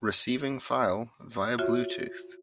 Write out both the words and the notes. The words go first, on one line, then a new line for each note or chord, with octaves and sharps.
Receiving file via blue tooth.
F4 F#4 C#5 E5